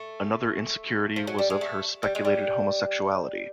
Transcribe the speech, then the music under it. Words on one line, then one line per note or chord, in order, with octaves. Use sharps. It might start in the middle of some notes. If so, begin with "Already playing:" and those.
Another insecurity was of her speculated homosexuality.
Already playing: A3
F3
F#3
G3
G#3
A3
G3
G#3
G3